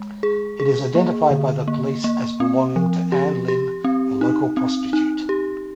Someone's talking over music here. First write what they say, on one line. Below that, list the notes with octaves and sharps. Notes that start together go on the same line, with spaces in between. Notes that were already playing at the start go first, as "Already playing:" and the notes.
It is identified by the police as belonging to Ann-Lynne, a local prostitute.
Already playing: G#3
G#4
G#4
A#3
D3
A#3
A#3
C4
F3
G4
G4
C4
D#4
C4
D#4
G4